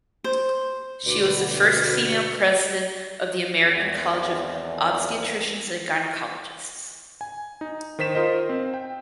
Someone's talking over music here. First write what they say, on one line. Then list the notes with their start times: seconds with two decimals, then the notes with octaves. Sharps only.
She was the first female president of the American College of Obstetricians and Gynecologists.
0.24 C5
1.06 D2 B2 F#4 B4 D5
3.62 G#1 E2
7.21 G#5
7.61 D#4
7.99 D#3 C5 B6 E7
8.15 F4 A#4 C5 D#5
8.49 C4
8.74 G5